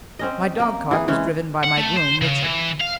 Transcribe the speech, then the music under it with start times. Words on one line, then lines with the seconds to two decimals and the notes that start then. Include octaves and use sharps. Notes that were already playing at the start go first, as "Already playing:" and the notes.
My dogcart was driven by my groom, Richard.
0.19 C4 C#4 D#5
0.60 A#3
0.91 E3 G#4
1.08 E3 G#3 C#4
1.64 F#5
1.77 A3
1.97 C5
2.22 C#3
2.44 E3
2.80 F5